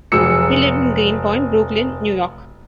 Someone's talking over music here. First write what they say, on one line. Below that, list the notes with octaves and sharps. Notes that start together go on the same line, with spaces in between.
He lived in Greenpoint, Brooklyn, New York.
F1 F#3 G#4 E6 C#7